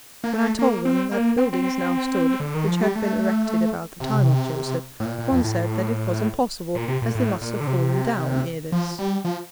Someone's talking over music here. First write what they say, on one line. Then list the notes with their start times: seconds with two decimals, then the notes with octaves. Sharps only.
When I told them that buildings now stood which had been erected about the time of Joseph, one said that it was impossible, as they must have fallen down ere this.
0.24 A#3
0.33 A3
0.59 A#3
0.85 C4
1.12 A#3
1.38 C4
1.53 C4
2.40 D3
2.54 D#3
2.68 F3
2.81 G3
2.95 A3
4.00 C3
5.00 A2
5.05 A#2
5.19 A#2
5.32 F2
5.44 A2
6.75 A#2
6.88 C3
7.02 A#2
7.15 A2
7.41 A#2
7.60 D3
7.67 C3
8.72 F3
8.99 G3
9.25 F3